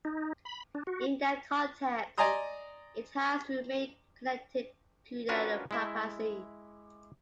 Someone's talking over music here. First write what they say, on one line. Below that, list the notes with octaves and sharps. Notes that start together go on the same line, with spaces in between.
In that context, it has remained connected to the Papacy.
D#4
B5
D4
F#4
D5 D#5 G#5 A#5 C6 D#6
C#4 D4 F4 F#4 A#4 B4
G#3 E4 E5